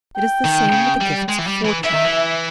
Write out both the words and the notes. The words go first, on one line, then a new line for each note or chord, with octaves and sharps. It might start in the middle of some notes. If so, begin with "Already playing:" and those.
It is the same with the gifts of fortune.
G5
D#3
C#3
G3
G#3
E3
G3
E3
E3 E5
D#3
E3